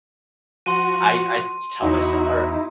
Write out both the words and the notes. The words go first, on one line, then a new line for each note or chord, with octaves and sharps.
I I just tell myse or
F3 F#4 C6 D#7
E2 D#4 E4 F#4